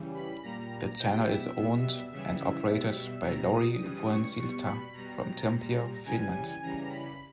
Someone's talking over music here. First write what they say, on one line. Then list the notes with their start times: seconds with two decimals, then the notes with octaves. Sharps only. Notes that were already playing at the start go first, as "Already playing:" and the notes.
The channel is owned and operated by Lauri Vuohensilta from Tampere, Finland.
Already playing: C#3 E3 G3
0.15 B5
0.43 A#2 G3 A#5
0.99 B2 G3 G5
1.27 E5
1.55 B2 G3 E5
2.12 C#3 E3 G3 E5
2.68 B2 G3
3.24 B2 G3 A#5
3.52 D#6
3.80 C#3 E3 G3
4.09 C#6
4.37 B2 G3
4.65 B5
4.93 B2 G3 A#5
5.22 A#5
5.50 A#2 G3
6.06 C#3 E3 G3 G#5
6.62 C#3 E3 G3 A#5
6.90 B5